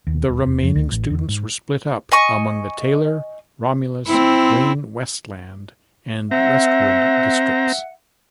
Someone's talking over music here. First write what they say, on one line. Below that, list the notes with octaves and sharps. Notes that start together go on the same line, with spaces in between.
The remaining students were split up among the Taylor, Romulus, Wayne-Westland and Westwood districts.
D#2
D#1
E1
F2
D2
A1
E2
G#2
D#5 G#5 C#6
C4 E4
C4 E5 F#5 A#5